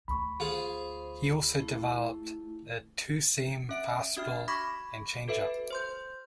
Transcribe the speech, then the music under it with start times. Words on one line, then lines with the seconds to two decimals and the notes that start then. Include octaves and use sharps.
He also developed a two-seam fastball and changeup.
0.08 D2 B5 C#6
0.40 F4 G#4 C5
1.60 A3 E4
3.69 C#4 E5 D7
4.17 D4 F#4 E5 F6
4.48 B5 C#6 D6 G#6 A#6 B6
5.28 F#4 A4 B4 E5
5.71 C5 C6 G6